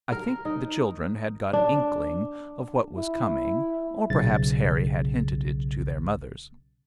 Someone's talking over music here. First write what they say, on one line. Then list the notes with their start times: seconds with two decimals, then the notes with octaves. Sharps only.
I think the children had got inkling of what was coming, or perhaps Harry had hinted it to their mothers.
0.12 A#4
0.45 D#4
1.53 D4
2.97 E4
4.10 B1 C#3 A6